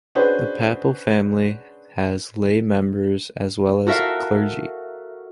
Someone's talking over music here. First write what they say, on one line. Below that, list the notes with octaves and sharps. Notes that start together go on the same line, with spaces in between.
The Papal Family has lay members as well as clergy.
C#4 D4 F#4 G#4 B4 C5
F#4 A4 A#4 E5 F5